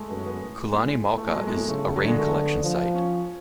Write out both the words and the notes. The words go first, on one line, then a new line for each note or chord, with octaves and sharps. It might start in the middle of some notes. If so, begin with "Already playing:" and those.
Kulani Mauka is a rain collection site.
Already playing: G#3 A3
F#2 B3
C#4
B3
A2
G#3
A3
G#3
A2 F#3
G#3
G#3
C#3 A3
D3 F#3
G#3
A3
B3
F3
C#4